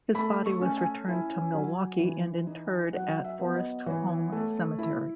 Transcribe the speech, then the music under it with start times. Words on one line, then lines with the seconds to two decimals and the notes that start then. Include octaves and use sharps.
His body was returned to Milwaukee and interred at Forest Home Cemetery.
0.15 A3 B5
0.46 C#6
0.61 C#4
0.77 G#5
1.08 E4
1.54 F#3
2.00 E3
2.47 D#4
2.93 F#3 F#5
3.24 E5
3.39 B3
3.56 D#5
3.86 E3 C#5
4.32 A3
4.79 E4